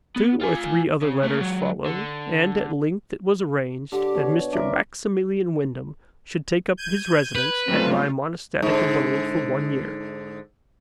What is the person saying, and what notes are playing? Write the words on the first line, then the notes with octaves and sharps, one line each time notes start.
Two or three other letters followed; and at length it was arranged that Mr. Maximilian Wyndham should take up his residence at my monastic abode for one year.
B3
F4 G#5
C#3
A3 A#3
F#3 G#3
D3
D3 G4
B2 C#5
D4 F4 A#4 E5
G6 G#6 D#7
B4
G#2 F#3 G3 A3 C4 F4
G#2 D3